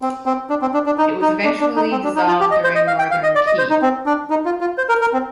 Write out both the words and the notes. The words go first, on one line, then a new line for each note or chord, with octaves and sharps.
It was eventually dissolved during Northern Qi.
C4
C4
D4
C4
D4
D4
D#4
D#4
D4
D4
D#4
C4
D4
D#4
F4
G4
D#5
C5
D#5
F5
G5
F5
D#5
D5
D#5
C5
D#4
C4
D4
D#4
F4
F4
C5
A#4
A#4
C4